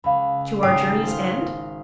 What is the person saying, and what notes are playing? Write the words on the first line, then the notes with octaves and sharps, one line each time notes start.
"To our journey's end?"
C#2 F5 B5
G#1 G5 D#6 C7
C5 F5